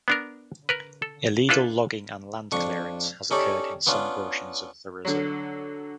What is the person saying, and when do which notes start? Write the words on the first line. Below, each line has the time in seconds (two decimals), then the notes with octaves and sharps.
Illegal logging and land clearance has occurred in some portions of the reserve.
0.08 B3 D4 A#4
0.69 A#4 B4
1.02 A4
1.49 D4 E4 F4 A4 B4
2.52 F2 D4 C#6
3.31 C#4 D#4 G4 A4 C#5 D5
3.87 B3 C#4 D4 F4
5.05 D3 F#3